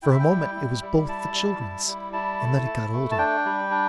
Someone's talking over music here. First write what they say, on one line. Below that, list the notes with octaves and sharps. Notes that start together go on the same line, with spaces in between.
For a moment it was both the children's, and then it got older.
E4 G5
E5
G5
G3
E4
G3
E4 A5
G3
E4
G3
E4 A5
A3
E4
A3
A5
D4 G5
G3
D4